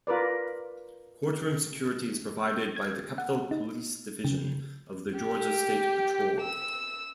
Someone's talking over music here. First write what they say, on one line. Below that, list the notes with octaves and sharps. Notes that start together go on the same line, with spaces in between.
Courtroom security is provided by the Capitol Police Division of the Georgia State Patrol.
F4 A#4 B4 D5
G#6
F#5
D#4
C#3
G4
E6